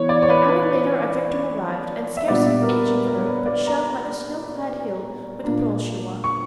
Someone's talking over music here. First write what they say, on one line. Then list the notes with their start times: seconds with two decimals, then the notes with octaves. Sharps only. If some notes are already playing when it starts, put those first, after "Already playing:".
An hour later our victim arrived and scarce an inch of her but shone like a snow-clad hill with the pearls she wore.
Already playing: E3 B3 C#5
0.09 D5
0.22 C#5
0.30 B4
0.49 B4
2.17 E5
2.27 A#2 G3 B3 D4 D5
2.47 E5
2.62 A#4
2.67 B4
2.86 A#4
3.07 A#4
3.20 C#5
3.26 B4
3.46 D5
3.67 A#5
5.44 A#2 A#3 D4
6.24 C#6